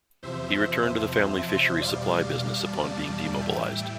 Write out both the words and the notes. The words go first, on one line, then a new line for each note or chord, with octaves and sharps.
He returned to the family fishery supply business upon being demobilized.
E2 C3 F3 C5 E5
E2 B2 G3 D5 F5
F5 A5
A2 E3 G3 E5 G5